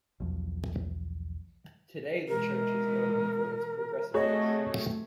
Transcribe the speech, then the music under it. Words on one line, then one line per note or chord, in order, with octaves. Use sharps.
Today the church is known for its progressiveness.
B1 E2 F3
B2 E3 G#3 A#4
C3 A3 F#4 G#4 C#5 D#5